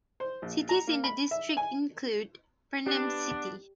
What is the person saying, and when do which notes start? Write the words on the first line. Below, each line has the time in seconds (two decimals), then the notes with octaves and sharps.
Cities in the district include: Pernem City.
0.20 C5
0.42 A#1
0.69 A#5
0.87 A#3
1.04 B5
1.31 E5
1.57 G#5
2.87 B3 D4 G4